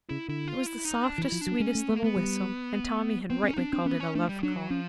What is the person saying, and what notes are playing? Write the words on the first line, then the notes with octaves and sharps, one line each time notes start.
It was the softest, sweetest little whistle, and Tommy had rightly called it a love call.
C#3 E4
D3 E4
F4
E4
D#4
D4
E3
E4
F3
D4
F#3
G#3 C#4
A3
A3 B3
A#3
A3 B3
G3
B3 C4
C4 C#4
D#4
C4 D4
C4 D4
B3 C#4
C#4
A3 D4
G3
F#3 D4
F3 C#4